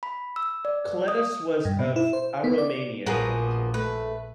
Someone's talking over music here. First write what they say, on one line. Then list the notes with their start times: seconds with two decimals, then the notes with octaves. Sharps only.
Kolettis was of Aromanian origin.
0.03 B5
0.36 E6
0.65 D5
1.08 D#6
1.65 G2
1.79 B2
1.96 E4
2.13 C5
2.44 B3
2.58 D5
3.06 A#1 F3 A#3 B3 F#4 G#4
3.74 A3 B4